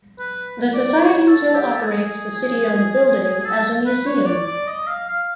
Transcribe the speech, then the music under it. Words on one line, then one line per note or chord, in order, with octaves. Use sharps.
The society still operates the City owned building as a museum.
B4
D5
C#5
A4
G4
A4
G#4
A4
B4
C#5
D5
D5
D#5
F5
F5